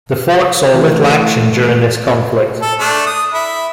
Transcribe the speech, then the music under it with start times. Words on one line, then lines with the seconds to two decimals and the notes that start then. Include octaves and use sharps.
The fort saw little action during this conflict.
0.74 E3 A3
2.62 A4
2.80 A3 D4
3.06 D#6
3.34 E4